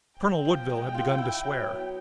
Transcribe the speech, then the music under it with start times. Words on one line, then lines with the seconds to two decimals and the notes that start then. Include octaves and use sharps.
Colonel Woodville had begun to swear.
0.20 C4 G5
0.45 F3
0.70 G#3
0.94 F4
1.18 E4
1.43 F#3
1.67 B3